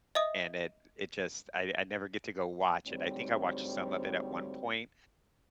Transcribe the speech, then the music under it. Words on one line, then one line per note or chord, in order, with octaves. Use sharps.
and it it just I I never get to go watch it, I think I watched some of it at one point,
D#5 E5 D#6
D2 G#2 G3 C4 C#5